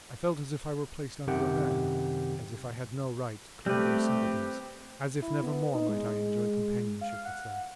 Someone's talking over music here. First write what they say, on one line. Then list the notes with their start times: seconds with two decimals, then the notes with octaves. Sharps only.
I felt as if I were placed under a ban--as if I had no right to claim their sympathies--as if never more might I enjoy companionship with them.
1.27 F#2 C3 D#3 G4 F#5 G5
3.66 G3 A3 C4 G4 B4
5.22 E4
5.43 B3
5.74 D#4
5.89 G#3
7.01 F5
7.25 F#5